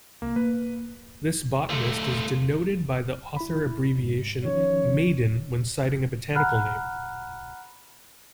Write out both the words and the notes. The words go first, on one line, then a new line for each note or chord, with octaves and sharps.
This botanist is denoted by the author abbreviation Maiden when citing a botanical name.
C2 A#3
A#3 B4
A3 F4
E4 B5
G#2
D#3 F3 C#4 C#5
F#5 A#5 B5 F6 F#6